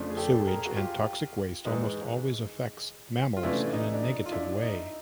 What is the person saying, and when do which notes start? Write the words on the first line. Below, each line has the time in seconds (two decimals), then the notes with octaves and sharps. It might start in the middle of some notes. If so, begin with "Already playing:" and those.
Sewage and toxic waste almost always affects mammals in a negative way.
Already playing: F2 C#3 F3 A3 D4
0.10 G#4
0.17 G4 A4
0.47 G#4 A#4
0.65 F#4
0.76 F4 G4
1.65 G#2 E3 G#3 D#4
3.37 F4
3.43 C3 E3 A3 C#4 D4 E4
3.67 D4
3.73 D#4
3.93 D4
4.03 D#4
4.26 F4
4.32 D4 E4
4.62 D#4